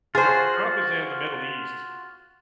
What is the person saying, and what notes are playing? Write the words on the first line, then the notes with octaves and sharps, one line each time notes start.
You know, Trump is in the Middle East.
F4 F#4 G#4 C5